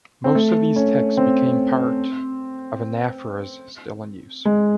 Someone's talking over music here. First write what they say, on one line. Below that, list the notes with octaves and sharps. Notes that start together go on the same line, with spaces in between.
Most of these texts became parts of anaphoras still in use.
C4
A3
C#4
C4
G#3